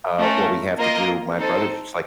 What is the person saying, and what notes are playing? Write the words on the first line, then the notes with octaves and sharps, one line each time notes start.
"Uh, what we have to do" my brother's just like,
A3 C#4 F4 A#4
A#3 F4 A#4 D#5
C4 D#4 A4 C5